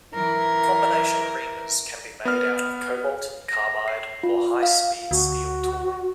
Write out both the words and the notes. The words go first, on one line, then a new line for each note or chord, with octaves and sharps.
Combination reamers can be made out of cobalt, carbide, or high speed steel tooling.
E3 A#4
B3 F6
A#6
C7
F4
F5
D2 F#4